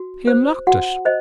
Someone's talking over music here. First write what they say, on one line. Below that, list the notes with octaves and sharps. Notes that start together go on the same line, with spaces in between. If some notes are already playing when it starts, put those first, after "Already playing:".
He unlocked it.
Already playing: F#4
C5
F#4 F#5
C5 D#5